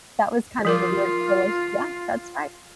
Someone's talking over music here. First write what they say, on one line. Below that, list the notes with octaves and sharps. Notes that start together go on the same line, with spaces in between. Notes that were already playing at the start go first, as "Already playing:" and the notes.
that was kind of a weird push. Yeah, that's right.
F3 F4 A#4 D6